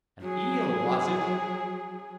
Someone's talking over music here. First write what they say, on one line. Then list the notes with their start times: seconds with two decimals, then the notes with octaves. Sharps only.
An eel, was it!
0.21 F#3 G#4